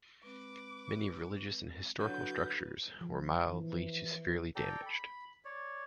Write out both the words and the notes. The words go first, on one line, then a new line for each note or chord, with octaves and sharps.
Many religious and historical structures were mildly to severely damaged.
G#3 C4 B4 D6
D3 F#3 D4 F#4 B4 G6
F3
E3
A4 D5 G5 A#5
B5
C#5 D5